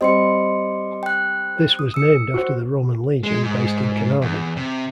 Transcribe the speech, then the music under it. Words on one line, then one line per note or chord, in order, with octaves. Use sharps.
This was named after the Roman legion based in Caernarfon.
G3 C4 D#5 C6 C#7
G5 F#6
D#6
E6 C#7
F#4 C5
G#3
G#2
E2
C3